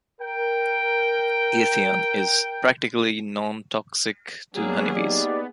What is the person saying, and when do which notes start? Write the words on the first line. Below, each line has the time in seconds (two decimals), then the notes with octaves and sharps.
Ethion is practically nontoxic to honeybees.
0.21 A#4 G5
4.54 F#3 A#3 B3 C#4 D4 G#4
4.94 B3 D#4 G4 D5